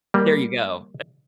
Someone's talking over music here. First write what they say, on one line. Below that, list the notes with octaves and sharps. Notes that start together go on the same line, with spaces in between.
There you go.
G3 A#3